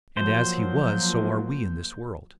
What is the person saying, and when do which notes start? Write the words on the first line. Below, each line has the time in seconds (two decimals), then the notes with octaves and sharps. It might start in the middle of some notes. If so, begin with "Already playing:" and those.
And, as He was, so are we in this world.
0.17 F3 F#3 A#3 C5